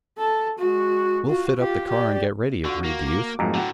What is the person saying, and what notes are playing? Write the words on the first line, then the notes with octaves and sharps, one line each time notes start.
"We'll fit up the car and get ready," agreed the 'youth.
A4
G#3 F#4
F4 F#4
F4 G4
G4 D5
D3 F4 F#4
A#3
D6
F2 G#2 F#3 A3 A#3 A#5
A2 D3 F#4 F#5 G5